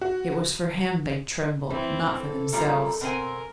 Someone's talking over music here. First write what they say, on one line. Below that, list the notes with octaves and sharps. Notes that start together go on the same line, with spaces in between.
It was for him they trembled, not for themselves.
F#4
E3 C4 E4
A4
F#2 A#2 G3
B2 C4 A#4 G#5